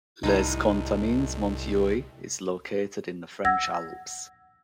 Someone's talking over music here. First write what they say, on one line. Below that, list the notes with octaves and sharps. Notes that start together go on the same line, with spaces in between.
Les Contamines Montjoie is located in the French Alps.
C2 A2 D#4
F#5 E6 G#6 A#6